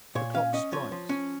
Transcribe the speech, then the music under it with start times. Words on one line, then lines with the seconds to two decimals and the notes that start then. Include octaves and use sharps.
The clock strikes!
0.15 A#2 C#5
0.34 C#4 F5
0.53 C#4 D#5
0.72 F3 C#5
0.92 F3
1.09 C#4